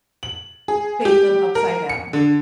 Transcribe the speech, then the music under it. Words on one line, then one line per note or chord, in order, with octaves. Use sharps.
bake them upside down.
F#7
G#4
G4
A#4
C#7
D3